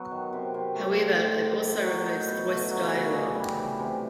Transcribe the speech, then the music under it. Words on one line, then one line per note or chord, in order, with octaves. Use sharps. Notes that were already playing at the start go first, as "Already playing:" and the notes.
However, it also removes voice dialogue.
Already playing: F#3 B3
D#3
C3
C3
A3
F3
A2
A2
A#3
F#3
D#4
B2
A3
F#3
C#3
C#3
G3
E3
C3